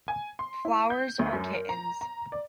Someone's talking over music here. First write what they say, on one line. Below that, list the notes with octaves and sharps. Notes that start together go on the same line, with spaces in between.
Flowers are kittens.
G#5
C6
E4
G6
D2
F#2
A#4
A#5
A#5
D5